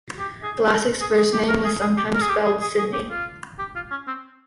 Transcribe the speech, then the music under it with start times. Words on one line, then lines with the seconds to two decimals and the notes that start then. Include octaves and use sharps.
Lassick's first name was sometimes spelled "Sidney".
0.19 G4
0.43 G#4
0.68 A#4
1.01 G#4
1.17 G#4
1.33 G4
1.49 A#4
1.65 G#4
1.81 G#4
1.97 G4
2.15 A#4
2.22 G#4
2.29 G4
2.46 G#4
2.62 G#4
2.79 G#4
2.94 G4
3.11 F4
3.59 G4
3.75 F4
3.91 C#4
4.08 C4